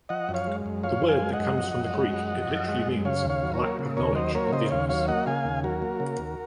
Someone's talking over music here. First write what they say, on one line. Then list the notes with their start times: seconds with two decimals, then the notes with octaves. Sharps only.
The word that comes from the Greek, it means literally "lack of knowledge of the illness."
0.09 F3 D#5 F#5
0.29 F#2
0.34 C#5 F5
0.47 G#3
0.66 F#2
0.83 F3 C#5 F5
1.02 F#2
1.09 F5 G#5
1.20 G#3
1.33 D#5 F#5
1.39 F#2
1.58 F3
1.75 F#2
1.94 G#3
2.13 F#2
2.31 F3
2.49 F#2
2.68 G#3
2.87 F#2
3.05 C#3 C#5 F5
3.24 D#2
3.30 C#5 F5
3.43 F#3
3.54 A#4 C#5
3.60 A#3
3.79 C#3
3.97 D#2 A#4 C#5
4.15 F#3 C5 D#5
4.35 A#3 A#4 C#5
4.52 C#3 C5 D#5
4.71 D#2 C#5 F5
4.89 F#3 C#5 F5
5.08 A#3 D#5 F#5
5.26 C#3 F5 G#5
5.45 D#2
5.64 F#3 F#4 A#4
5.82 A#3
6.00 C#3
6.18 D#2